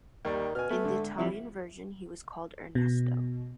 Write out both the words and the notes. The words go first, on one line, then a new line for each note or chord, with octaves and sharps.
In the Italian version he was called Ernesto.
D#2 D#3 G3 D5
B2 G#5 F6
A3 B3
G#2 D3
C3 F3 G3 E4
B2